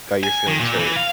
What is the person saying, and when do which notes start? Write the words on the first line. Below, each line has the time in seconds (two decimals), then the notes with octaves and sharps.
got your feelings hurt,"
0.23 G#5
0.47 D#3
0.60 A#2
0.79 E3
0.96 F5